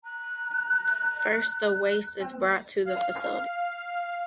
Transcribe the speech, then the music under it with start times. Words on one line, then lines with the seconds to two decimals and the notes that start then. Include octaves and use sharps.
First, the waste is brought to the facility.
0.04 A#5 F#6
2.85 F5